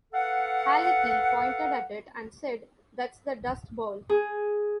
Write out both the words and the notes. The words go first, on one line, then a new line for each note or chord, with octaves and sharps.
Halicki pointed at it and said, That's the dust bowl.
A4 B4 F5 F#5
G#4